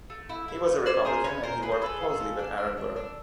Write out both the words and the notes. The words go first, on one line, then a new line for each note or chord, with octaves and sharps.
He was a Republican and he worked closely with Aaron Burr.
A3
E4
E4
A3
C#4 C5 D5
G#4 A#4 C5
C#4 B4 C#5
C#4 A#4 C5
G#4 B4
C5
G#4 A4 B4
F4
C#4
D4
D4
D4
D4